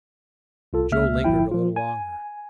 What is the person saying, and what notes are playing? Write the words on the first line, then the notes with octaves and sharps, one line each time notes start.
Joe lingered a little longer.
C2 F4 A4
C#2 A#3 E5 F6
G1 F3 E4 G5
F3 F4
G#5